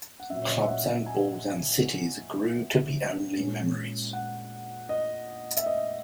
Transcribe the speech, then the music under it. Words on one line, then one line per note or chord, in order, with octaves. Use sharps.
Clubs and balls and cities grew to be only memories.
F#5
A#2 F#3 C#4 E5
C#5
D#5
E5
F#5
G#5
A#2 G#3 C#4
F#5
D#5
E5
D#5